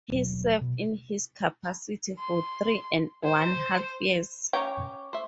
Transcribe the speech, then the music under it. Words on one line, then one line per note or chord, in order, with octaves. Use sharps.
He served in this capacity for three and one half years.
D#1 B2 F#3
B2
C6
C5
C#4 C#5 G5 A#5 C#6 D6
C5 E5 C6